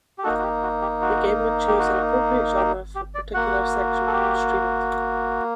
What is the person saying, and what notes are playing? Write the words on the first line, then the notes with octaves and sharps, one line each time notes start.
The game would choose an appropriate genre for a particular section, and stream it.
G4
A#3 D#4 F#4 A4
F#4
G4
F#4
G4
F#4
G4
F#4
G4
G4
D5
A#3 F#4 F#5
A4
G4